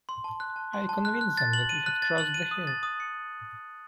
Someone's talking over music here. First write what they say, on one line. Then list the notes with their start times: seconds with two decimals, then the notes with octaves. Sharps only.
I convinced them that you had crossed the hill.
0.09 C6
0.24 A5
0.40 F#6
0.56 A5
0.73 C6
0.89 A5
1.05 F#6
1.21 F#6
1.37 A6
1.53 F#7
1.69 D#7
1.86 F#6
2.02 A6
2.18 F#7
2.34 D#7
2.51 D#6
2.67 A6
2.83 D#6
3.00 C#7